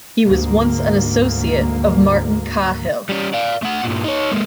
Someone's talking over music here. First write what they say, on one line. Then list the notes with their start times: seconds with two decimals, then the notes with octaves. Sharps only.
He was once an associate of Martin Cahill.
0.25 D2 G#2 A#3
3.09 G3 C#4
3.33 D5 F5
3.62 A3 F#5
3.83 G2 A#2
4.04 D#4 C#5
4.32 G#3 A#3